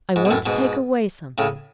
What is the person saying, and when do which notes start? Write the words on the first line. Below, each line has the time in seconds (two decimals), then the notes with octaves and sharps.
I want to take away something.'
0.16 G#2
0.25 B2
0.31 F#2 A2
0.46 G#2 B2
1.38 A2 C#3